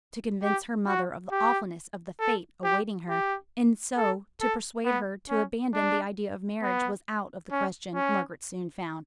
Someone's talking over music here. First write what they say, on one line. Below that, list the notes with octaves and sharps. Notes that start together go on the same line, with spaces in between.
To convince her mother of the awfulness of the fate awaiting her, and so to persuade her to abandon the idea of marriage, was out of the question, Margaret soon found.
G4
F#4
G4
A4
G4
G4
A4
A4
B3
C#4
D4
B3
C#4
C#4